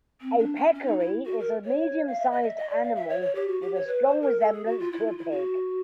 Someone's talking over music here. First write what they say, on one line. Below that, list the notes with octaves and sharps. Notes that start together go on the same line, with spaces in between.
A peccary is a medium-sized animal, with a strong resemblance to a pig.
C4
D4
C#4
C#4
D#4
E4
F#4
A#4
C#5
F5
E5
D#5
E5
D#5
D5
F5
E5
C#5
C#5
G4
F#4
G4
C#5
B4
C5
A#4
A4
G#4
F#4
F4
E4
F4
E4
F#4